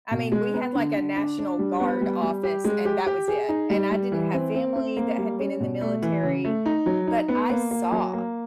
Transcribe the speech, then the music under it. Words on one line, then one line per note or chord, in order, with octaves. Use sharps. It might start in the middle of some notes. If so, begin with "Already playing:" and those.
I mean, we had, like, a national guard office and that was it, and I didn't have family that had been in the military, but I saw
B2
G#3
B3
D3
D3
D4
D4
G3
B3
G3
G3
G4
G#3
G4
G4
G#4
D#4
G3
G3
E3
C4
C4
C4
A#3
G3
C#4
B2
A3
E3
C#3
A3
D#4
F#3
D#4
B3
A#3
A#3
F#3
A#3